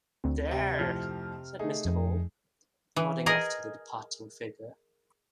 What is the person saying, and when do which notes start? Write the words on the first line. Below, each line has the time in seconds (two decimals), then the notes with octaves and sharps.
"There," said Mr. Hall, nodding after the departing figure.
0.24 D2 C4
0.52 C3 E5
0.79 F2 A2 F3 F6
1.59 A3 D#4 G#4
1.85 F2
2.96 E3
3.26 G#4 A#4 D#5